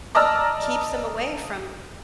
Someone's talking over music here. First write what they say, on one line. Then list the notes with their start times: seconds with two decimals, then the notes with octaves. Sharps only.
keeps them away from
0.15 D5 D#5 A5 A#5 E6 F6